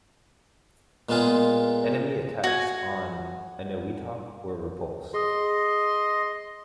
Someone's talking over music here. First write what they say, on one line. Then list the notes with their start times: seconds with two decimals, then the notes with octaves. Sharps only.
Enemy attacks on Eniwetok were repulsed.
1.09 A#2 G#3 B3 F4 G#4
2.44 F#4 G#5
5.14 G#4 D#5 C6 D#6